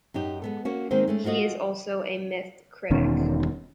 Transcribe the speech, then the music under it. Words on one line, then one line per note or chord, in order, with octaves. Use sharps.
He is also a myth critic.
F#2 D#4 G4
G#3 B3 A4
A#3 C#4 F#4
D#3 G#3 A#3 C4 C5
G#3 A3 C#4
G#3 F4 F#4 C#5 D#5
E1 B2 D#3 C#4